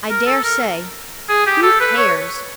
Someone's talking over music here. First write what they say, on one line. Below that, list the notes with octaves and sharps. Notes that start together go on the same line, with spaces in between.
I dare say. Who cares?
A#4
A4
A#4
G#4
G4
A4
B4
C#5